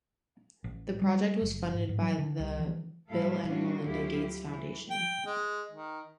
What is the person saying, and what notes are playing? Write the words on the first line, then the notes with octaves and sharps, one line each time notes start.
The project was funded by the Bill and Melinda Gates Foundation.
A1
G3
F#1
G#2
G#2
F#3
D3
C2
E3
A2 G3 A3 E4 A4 F5
G3 A3 C#4 D4 F4 F#4
D2 F#3 E4 F4 G4
E3
G5
G#3
D#3